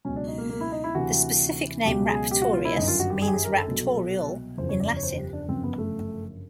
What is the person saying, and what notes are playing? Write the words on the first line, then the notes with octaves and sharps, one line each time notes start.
The specific name "raptorius" means "raptorial" in Latin.
C#2 B2 F#3 C#4
D4
D#4
A#3
A#3
E4
D#4
E4
D2 C3 E3 F#4
C#2 B2 F#3 G4
G#4
G4
F#4
F4
E4
G1 F#2 D#3 D#4
F4
F#4
G4
G#4
G4
G#4
A#4
A4
C2 B2 F#3
F#1 E2 C#3 F3 C5
C#5
D5
C#5
C5
G4
D4
G1 F#2 C#3 F3 C4
B3
A3